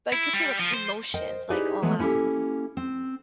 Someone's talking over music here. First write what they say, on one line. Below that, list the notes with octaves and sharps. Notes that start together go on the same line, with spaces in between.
like, you could feel the emotions, like, "Oh, wow.
E4
G3
F3
C5
A#4 C5 D#5 G5
D#4 E4 G4 G#4 B4 D5
E3 G#3 A3 B3
A#3 C#4 E4 F4 G4 A4
C4